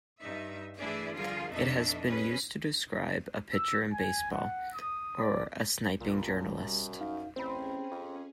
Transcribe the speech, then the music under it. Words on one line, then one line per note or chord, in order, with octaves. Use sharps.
It has been used to describe a pitcher in baseball, or a sniping journalist.
G2 D#4 E5
E3 A3 D4 E4 G#4 D5
D3 F3 G3 F4 G#4 A#4
F2 B2 D4 D#4 A4 E5
C#4 G#4 B4
E6
G#5
F#5
D#6
D5
B1 A#2 G3
F#2
D#4 F5
A1 C4 C#4 G#4 C5 B5
F2